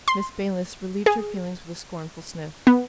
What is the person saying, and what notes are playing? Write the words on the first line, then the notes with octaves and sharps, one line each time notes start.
Miss Baylis relieved her feelings with a scornful sniff.
C6
G#4
B3